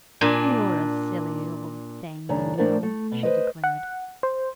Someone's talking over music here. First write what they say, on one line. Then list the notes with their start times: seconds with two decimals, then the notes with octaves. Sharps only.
"You're a silly old thing, you know," she declared.
0.21 A#2 D4 G#5
2.29 F#2 A2 C#3 D4 A#5
2.58 A2 A3 D4 A#4 C5 D5
2.83 A3
3.11 B2
3.23 B4 C5 D#5
3.64 F#5
4.23 C5